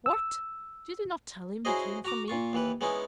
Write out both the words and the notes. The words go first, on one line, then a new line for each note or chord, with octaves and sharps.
"What! did he not tell him he came from me?"
E6
C#4 E4 F#4 G#4 C5 D#5
F#4 A#5 D6
A#2 F4 C#6
D#2 E3 B4
G#3 B3 C#4 D#4 E4